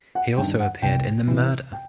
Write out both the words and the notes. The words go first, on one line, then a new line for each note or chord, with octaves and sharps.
He also appeared in the Murder!
F#5
G2 D#3 G5
F#5
C2 G5
C3 E3
G5